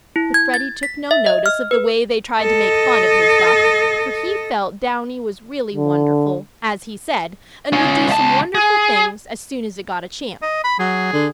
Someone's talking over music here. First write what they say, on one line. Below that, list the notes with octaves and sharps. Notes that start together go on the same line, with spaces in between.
But Freddie took no notice of the way they tried to make fun of his duck, for he felt Downy was really wonderful, as he said, and would do some wonderful things as soon as it got a chance.
E4
G#6
A6
B6
E5
D#5
F6
B4
A4 D#5
D3
C#4 F4
C#2 A5
G#4
D#5
B5
F#3 G#4
D3